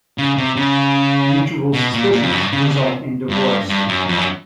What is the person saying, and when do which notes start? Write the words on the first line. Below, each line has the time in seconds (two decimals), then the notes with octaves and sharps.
Mutual suspicions result in divorce.
0.18 C#3
0.37 C3
0.57 C#3
1.73 B2
1.93 A#2
2.12 A#2
2.23 F2
2.32 F#2
2.42 G2
2.52 C#3
2.62 D3
2.71 C#3
2.81 C3
3.29 G2
3.69 G2
3.88 F#2
4.08 F2
4.17 F#2